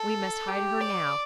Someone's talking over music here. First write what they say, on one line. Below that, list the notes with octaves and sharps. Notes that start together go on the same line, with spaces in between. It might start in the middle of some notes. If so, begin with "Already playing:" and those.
We must hide her now.
Already playing: A4
G4
D5